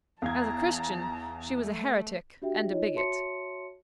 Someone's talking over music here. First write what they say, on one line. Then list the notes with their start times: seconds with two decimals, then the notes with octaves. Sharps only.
As a Christian she was a heretic and a bigot.
0.22 E2 F5 A5 A#5 G#6
1.59 A3
2.42 D4 F#4 G4 E5 G5
2.70 D#4 F4 C#5 D#5
2.94 F#4 C#5 E5 A5 C6 C#7